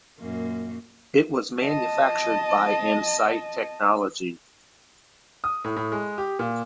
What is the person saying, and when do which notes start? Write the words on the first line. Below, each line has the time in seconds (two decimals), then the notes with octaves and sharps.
It was manufactured by Insight Technology.
0.18 F#2 A#2 A#3
1.61 D#5 A5
5.44 D#6
5.64 A2
5.76 A2
5.92 G#3
6.18 G4
6.39 A#2